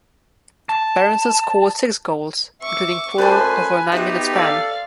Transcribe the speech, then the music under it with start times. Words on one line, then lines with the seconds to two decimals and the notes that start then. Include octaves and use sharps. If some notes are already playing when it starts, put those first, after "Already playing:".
Berenson scored six goals, including four over a nine-minute span.
0.69 A5
2.62 E5 C#6 D6
3.18 F#2 A3 B4 C5 D5 G#5 A5
3.92 B3 D#4 F#4 G4 C5 E5
4.31 A4 D5 F5